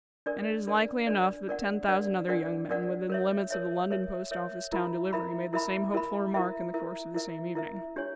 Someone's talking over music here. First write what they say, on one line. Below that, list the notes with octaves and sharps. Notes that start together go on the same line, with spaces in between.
And it is likely enough that ten thousand other young men, within the limits of the London Post-office town delivery, made the same hopeful remark in the course of the same evening.
D4 A#4 D5
D4 A#4 D5
D4 A#4 D5
D4 A#4 D5 F#5
D4 A#4 D5 F#5
D4 A#4 D5 F#5
D4 A#4 D5 F#5
A#4 C#5 E5
A#4 C#5 E5
A#4 C#5 E5
A#4 C#5 E5
E4 A#4 E5 B5
E4 A#4 E5 B5
E4 A#4 E5 B5
E4 A#4 E5 B5
E4 A#4 E5
E4 A#4 E5
E4 A#4 E5
E4 A#4 E5
D4 G4 C#5